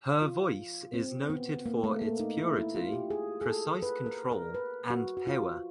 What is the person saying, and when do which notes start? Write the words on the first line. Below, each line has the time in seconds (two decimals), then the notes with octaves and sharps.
Her voice is noted for its purity, precise control, and power.
0.22 F4
0.94 C4
1.30 B3
1.66 A#3
1.84 A3
2.01 A#3
2.20 D#4
2.38 E4
2.57 E4
2.75 F4
2.92 G4
3.10 G#4
3.41 G#4
3.46 A4
3.83 B4
4.06 A#4
4.31 A#4
4.54 B4
4.90 F#4
5.17 F#4
5.27 F4